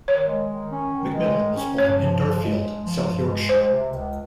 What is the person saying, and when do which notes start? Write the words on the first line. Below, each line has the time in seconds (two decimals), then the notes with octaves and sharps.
McMillan was born in Darfield, South Yorkshire.
0.08 D#3 C#5
0.29 G#3
0.51 D#3
0.72 C#4
0.93 D#3
1.15 G#3
1.36 D#3
1.57 C#4
1.78 G2 C#5
2.00 F3
2.22 G2
2.42 G#3
2.63 G2
2.85 F3
3.07 G2
3.28 G#3
3.49 C#2 C5
3.71 C3
3.92 C#2